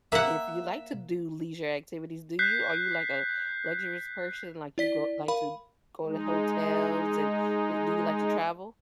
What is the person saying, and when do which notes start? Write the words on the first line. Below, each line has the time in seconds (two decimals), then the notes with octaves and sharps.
if you like to do leisure activities, do you? Are you, like, a luxurious person, like, you go like to go to hotels and, uh, do you like to travel?
0.12 A#3 E5 F#5
2.39 F#6 G6 B6 C7
4.78 E4 D5 B6
5.28 A#4 F5 B5
6.04 G#3 D#4